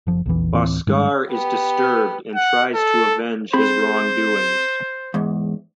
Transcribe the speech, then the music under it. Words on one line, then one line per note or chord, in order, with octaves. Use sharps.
Bhaskar is disturbed and tries to avenge his wrongdoings.
F#1 F3
A#1 E2 E3
D2 A2 E3 C4
G#2 D#3 G3 G#3
B3 G4
F#5
A4
C4 G#4 C5 B5
E2 G#2